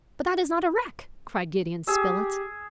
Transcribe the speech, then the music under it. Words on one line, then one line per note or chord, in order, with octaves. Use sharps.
"But that is not a wreck!" cried Gideon Spilett.
G4 G#4 E6